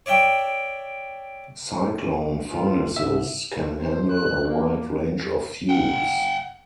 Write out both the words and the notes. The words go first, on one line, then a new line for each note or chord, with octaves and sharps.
Cyclone Furnaces can handle a wide range of fuels.
C#5 D5 E5 G5
F4
G#2 E5
C5
F#6
A#3
F#5 G5